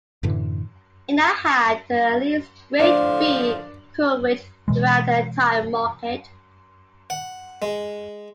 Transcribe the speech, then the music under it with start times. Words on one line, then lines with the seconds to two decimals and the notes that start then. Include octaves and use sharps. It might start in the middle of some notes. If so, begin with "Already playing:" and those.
It now had at least Grade B coverage throughout the entire market.
0.23 F#2 A2 D3 E3
2.80 A2 D3 F3 D4
4.68 B2 E3 G#3
7.10 F#5
7.62 G#3